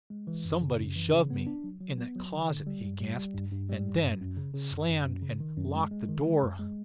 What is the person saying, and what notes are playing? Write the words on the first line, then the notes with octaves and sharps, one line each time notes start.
"Somebody shoved me--in that closet," he gasped, "and then--slammed and--locked--the door."
G#3
E3
F#2
C#3
F#2
E3
C#3
B3
D4
F#3
F#3
B3
F#3
D3
D3
G3
G2
G3
G3
G2
G2
G3
G2
F#2
F#2
C#3
C#3
F#2
F#2
F#2
C#3
D#3
F#2
G#3
G#3
D#3
G#3
F#2
G#3